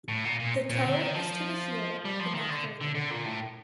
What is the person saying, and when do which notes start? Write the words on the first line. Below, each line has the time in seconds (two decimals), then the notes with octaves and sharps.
The toe is to the heel, but not further.
0.08 A2
0.25 A#2
0.39 A#2
0.70 A#2
0.85 D3
1.00 D#3
1.14 F3
2.05 G3
2.20 F3
2.35 D#3
2.50 D3
2.81 D3
2.95 D3
3.11 A#2
3.26 A2